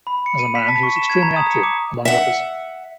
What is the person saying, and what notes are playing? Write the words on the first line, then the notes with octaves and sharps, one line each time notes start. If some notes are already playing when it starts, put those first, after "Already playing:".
As a man he was extremely active, among others.
B5
C#7
D#7
B6
A5
C#6
E7
G#6
A#5
D#6
C#7
D6
E5 F#5